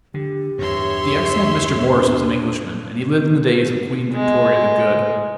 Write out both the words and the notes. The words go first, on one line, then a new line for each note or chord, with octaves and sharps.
The excellent Mr. Morris was an Englishman, and he lived in the days of Queen Victoria the Good.
D3 G4
E2 G2 C#5 E5 C6
D4
G#3